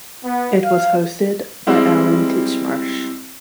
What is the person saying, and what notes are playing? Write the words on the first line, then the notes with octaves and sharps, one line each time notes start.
It was hosted by Alan Titchmarsh.
B3
F5
G3 G#3 C4 E4